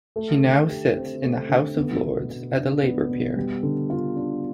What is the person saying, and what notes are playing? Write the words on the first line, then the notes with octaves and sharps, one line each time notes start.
He now sits in the House of Lords as a Labour peer.
A3
D3
G4
C4
A3
D3
B3
B2
B2
D4
B3
B2
G3
D3
F4
D4